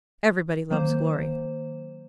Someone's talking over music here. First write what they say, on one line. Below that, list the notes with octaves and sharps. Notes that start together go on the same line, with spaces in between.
Everybody loves Glory.
D#3 F#3 A#3 C5